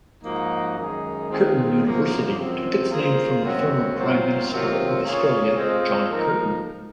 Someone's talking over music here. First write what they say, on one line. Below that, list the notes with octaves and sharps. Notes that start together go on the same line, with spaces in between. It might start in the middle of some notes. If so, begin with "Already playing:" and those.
Curtin University took its name from the former Prime Minister of Australia, John Curtin.
G#2 F3 A#3 D#4 F#4
F#2 D#3 G#3 D#4 G#4
D#3 G#3 C4 F4 G#4
F#2 F3 A#3
F#2 F3 C4
A#3 F4 G#4 C5
F#2 D#3 F#3 C4 F#4
G#2 F#3 C4 F4 C5
C3 D#3 F#3 C4 F4
A#3 C#4 F4 G#4 C#5
G#3 C4 F4 C5 D#5
F3 A#3 D#4 A#4